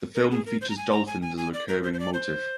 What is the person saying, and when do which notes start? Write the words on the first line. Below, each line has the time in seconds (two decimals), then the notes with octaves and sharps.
The film features dolphins as a recurring motif.
0.15 A#4
0.31 G#4
0.46 A#4
0.61 C5
0.70 A#5
0.77 G#5
0.92 A#5
1.07 G#5
1.22 G#5
1.38 G#5
1.54 D5
1.68 A#4
1.83 C5
1.93 C5
1.99 D5
2.14 C5